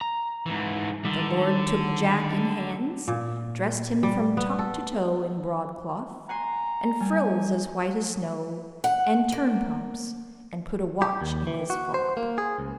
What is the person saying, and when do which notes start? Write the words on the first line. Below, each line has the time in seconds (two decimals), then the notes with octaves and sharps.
The lord took Jack in hands, dressed him from top to toe in broadcloth, and frills as white as snow, and turnpumps, and put a watch in his fob.
0.01 A#5
0.46 G#2 E3
1.05 D3 D#3 G3
3.08 A#2
4.03 G3
4.37 B3
4.59 A4
6.29 F#5 G#5 A#5 C6
7.00 G3 G#5
8.84 F#5
9.32 A#3
11.02 G4
11.22 D#2
11.47 E3
11.70 F#4
11.94 C5
12.17 A#3
12.38 G#4
12.59 C#2